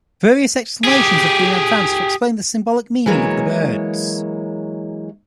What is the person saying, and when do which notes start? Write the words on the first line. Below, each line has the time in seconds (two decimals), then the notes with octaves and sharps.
Various explanations have been advanced to explain the symbolic meaning of the birds.
0.85 G4 G#4
3.06 E3 F#3 G#3 A#3 C#5